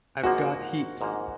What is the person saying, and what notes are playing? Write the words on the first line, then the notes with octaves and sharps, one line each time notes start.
I've got heaps.
G#1 G#2 F3 A#3 F#4
G#1 G#2 F3 A#3